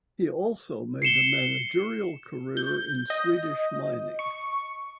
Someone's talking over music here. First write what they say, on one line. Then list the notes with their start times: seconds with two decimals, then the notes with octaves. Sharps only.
He also made a managerial career in Swedish mining.
1.02 C7 C#7 E7 G7
2.57 G6
3.10 D#5
4.19 C#6